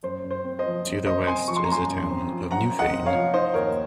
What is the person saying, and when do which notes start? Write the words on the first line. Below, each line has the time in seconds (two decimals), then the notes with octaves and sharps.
To the west is the Town of Newfane.
0.03 F#2 C5
0.24 F#2
0.31 C5
0.44 C4
0.59 C5 D#5
0.66 F3
0.85 F#2
1.06 F#2 C5 D#5
1.27 C4 G#5 C6
1.48 F3 C#6
1.57 C6
1.64 A#5
1.68 F#2 G#5 C6
1.89 F#2
2.10 C4
2.31 F3
2.51 F#2 F#5 A#5
2.72 F#2
2.79 D#5 F#5
2.92 C4
3.06 C#5 F5
3.13 F3
3.33 D#4 C5 D#5
3.54 D#2 A#4 C#5